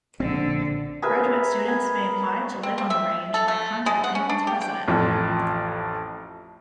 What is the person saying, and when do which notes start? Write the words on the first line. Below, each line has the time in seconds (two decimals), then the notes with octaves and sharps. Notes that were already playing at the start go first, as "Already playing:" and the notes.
Graduate students may apply to live on the Range by contacting its president.
0.20 A#1 D3 C4
1.02 G#4 A#4 B4 E5
1.68 G#5
2.63 C4
2.78 C4
2.90 E5
3.34 A4
3.48 A3
3.86 G#3
4.04 F#5
4.15 C#4
4.29 D4
4.47 G4
4.61 G5
4.88 A1 F2